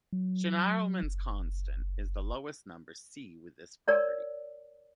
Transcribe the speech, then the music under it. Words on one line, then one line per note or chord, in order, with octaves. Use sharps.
Schnirelmann's constant is the lowest number C with this property.
F#3
F#1
A#4 C#5 D5